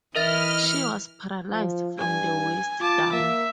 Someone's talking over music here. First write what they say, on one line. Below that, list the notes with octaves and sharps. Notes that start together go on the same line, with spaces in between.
She was paralyzed from the waist down.
E3 E4 A#4 D#5 E5 F6 A6
F3
G2 G#5
F4 A5 D6
A#3 E5